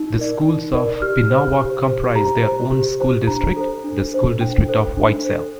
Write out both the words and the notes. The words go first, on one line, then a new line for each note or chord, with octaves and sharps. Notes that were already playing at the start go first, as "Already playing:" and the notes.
The schools of Pinawa comprise their own school district, the School District of Whiteshell.
Already playing: D#4
A#4 D5
D#4
A#4 D5
G4 F6
C5
G4
C5
G4 A#5
C5
G4
C5
D4 A#5
A4 C5
D4
A4 C5
D4 G5
A4 C5
D4
A4 C5